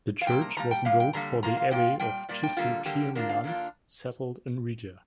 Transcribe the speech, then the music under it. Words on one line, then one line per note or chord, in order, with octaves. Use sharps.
The church was built for the abbey of Cistercian nuns settled in Riga.
F5
C3 G3 A#3 G5
A#5
C3 G3 A#3 A#5
G5
D3 G3 A#3 F5
G5
D3 G3 A#3 A#5
A#2 A#3 F4 A#5
F5
A#2 A#3 F4 G5
A#2 G3 G5
A#2 G3 A#3 D5
G5
D3 G3 A#3 F4
D3 G3 A#3 G4
D3 A#3 D4 F4 A#4
F5
D3 A#3 D4 F4